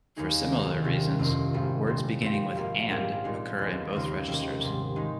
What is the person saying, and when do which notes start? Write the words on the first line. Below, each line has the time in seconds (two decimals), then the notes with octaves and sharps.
For similar reasons, words beginning with and occur in both registers.
0.16 D#2 D#3 A#3 D#4 G#4
0.50 C3 D#3 A#3 D#4
0.84 C2 C3 G3 C#4
1.19 G1 F2 C3 D#3 A#3
1.53 G#1 G#2 G3
1.87 A#2 G3 C4
2.21 G2 F3 C4 G4
2.55 G#1 G#2 F3 A#3
2.90 A#1 G#2 G3 A#3 F4
3.24 A#2 G#3 D#4 G#4
3.58 D#2 D#3 G#3
3.93 D#2 C#3 F3 C4
4.27 C3 D#3 G3 A#3
4.61 G#2 G3 A#3
4.96 D#3 G#3 D#4